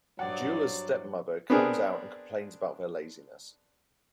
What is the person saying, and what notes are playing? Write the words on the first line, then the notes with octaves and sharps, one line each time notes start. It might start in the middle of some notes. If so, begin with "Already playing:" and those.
Djula's stepmother comes out and complains about their laziness.
G2 F#3 C5 D5 F#5
B3 C4 D4 G#4 A#4